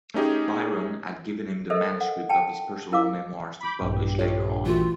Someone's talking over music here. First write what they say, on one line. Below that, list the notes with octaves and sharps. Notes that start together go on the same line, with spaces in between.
Byron had given him the manuscript of his personal memoirs to publish later on.
A3 C#4 D#4 G4 G#4
A4 A#4 C5 D#5 E5
F#5
G5 A5
E4 A#4 F5 D6
B5 D6 G6
A#1 G2 G4
F4 A4 C#5
E3 A3 F4 F#4